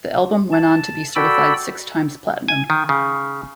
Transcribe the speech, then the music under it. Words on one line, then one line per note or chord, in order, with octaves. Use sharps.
The album went on to be certified six-times-platinum.
A5
F#4 A4 D5 G5 B5 E6
G#5
D#3
C#3